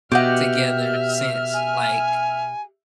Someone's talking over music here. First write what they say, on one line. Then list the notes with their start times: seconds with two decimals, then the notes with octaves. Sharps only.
together since, like,
0.12 B2 G4 D#5 E5 F#5 F6
1.54 G#5